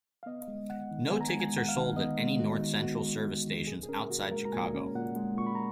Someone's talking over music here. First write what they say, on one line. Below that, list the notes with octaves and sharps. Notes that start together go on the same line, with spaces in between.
No tickets are sold at any North Central Service stations outside Chicago.
F5
B3 D#5
G#3
D#2 F#5
D#3
B3 G#5
A#5
G#5
G#3
G#5
D#2 F#5
F5
D#3
B3 D#5
G#3
D#2 F#4
D#3
B3 F#4
G#3
D#2
D#3
A#2 G#4
G#4
C#4 A#4
A#2 F#4
G#3 A#4
A#5
A#2 G#5
C#4
A#2 F#5
G#3
A#2 C#6
B5
A#5